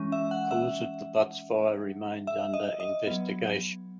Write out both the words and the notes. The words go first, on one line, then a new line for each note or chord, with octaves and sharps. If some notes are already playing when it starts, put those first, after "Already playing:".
The cause of the Butts fire remains under investigation.
Already playing: E3 G#3 C#4
E5
F#5
E5
E5
D#5
D#5
F#3 B3